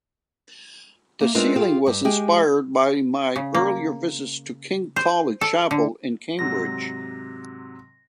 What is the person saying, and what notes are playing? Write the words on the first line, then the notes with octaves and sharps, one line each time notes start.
The ceiling was inspired by my earlier visits to kings College Chapel in Cambridge.
A#3
G#3 B3 C4 D4 F4 A#4
F4 G4 G#4
G2
G#3 G4 G#4 G5
C#3
A#3
C5
A4
D3
G#2 C3 F#3 A#6